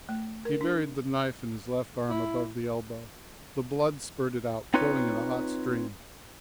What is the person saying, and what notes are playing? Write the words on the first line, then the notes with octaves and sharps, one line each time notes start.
He buried the knife in his left arm above the elbow; the blood spurted out, flowing in a hot stream.
A3
A#4
D4
E4
C4 D#4 F4 B4 C#5